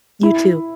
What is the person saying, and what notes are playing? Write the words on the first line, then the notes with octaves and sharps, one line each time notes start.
You too.
E4